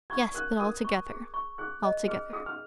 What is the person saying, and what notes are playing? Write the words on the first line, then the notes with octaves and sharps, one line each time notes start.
"Yes, but altogether; altogether."
C#6 G#6
A#4 F#6
A#4 D#6
C#6
G#4
C#6
G#4 F#6
D#5
G#4 F6
G#4 D#6
F6